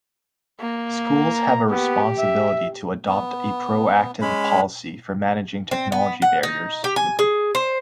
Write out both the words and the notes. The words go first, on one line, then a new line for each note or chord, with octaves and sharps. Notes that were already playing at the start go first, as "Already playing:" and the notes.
Schools have a responsibility to adopt a proactive policy for managing technology barriers.
A#3
A#5
B3 G4
E5
B3
G#3 C#4 B5
C4
B3
F#5
D#4
G4
G#5
G#4
C5